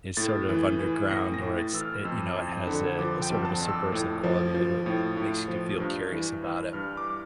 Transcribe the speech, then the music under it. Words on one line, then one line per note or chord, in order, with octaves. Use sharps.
it's sort of underground or it's, eh, you know, it has a a sort of a subversive quality to it. It makes you do feel curious about it.
A2 A6
E3
E3
A2 A#6
A#6
A2
A6
E3 E6
F6
F2 E6
F2
D3
F3 D6
G5
F2
A5
F2
E6
A2
F3
F3
A2
A2
F3
G2
E3
E3
G2 F6
D6